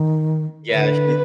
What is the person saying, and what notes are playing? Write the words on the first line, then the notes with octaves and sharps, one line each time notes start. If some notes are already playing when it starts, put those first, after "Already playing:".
yeah, she
Already playing: D#3
D3 B4